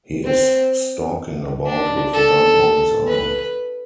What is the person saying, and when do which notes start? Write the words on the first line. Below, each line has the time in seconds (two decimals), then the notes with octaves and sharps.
He is stalking about with a gun on his arm.
0.25 C4
1.66 D4
2.13 A4
3.08 B4